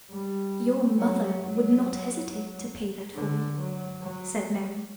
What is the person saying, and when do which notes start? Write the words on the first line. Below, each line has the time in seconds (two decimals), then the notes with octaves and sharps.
"Your mother would not hesitate to pay that for you?" said Mary.
0.10 G3
0.97 F#3
1.41 F#3
3.14 D3
3.57 F#3
4.00 F#3